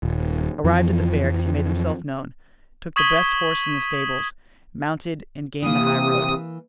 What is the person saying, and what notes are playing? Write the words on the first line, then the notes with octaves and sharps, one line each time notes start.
Arrived at the barracks he made himself known, took the best horse in the stables, mounted and gained the high road.
D#1
F2 E3 F3
C#6 D#6 G#6 B6 D#7 G7
C3 E3 A#3 D#6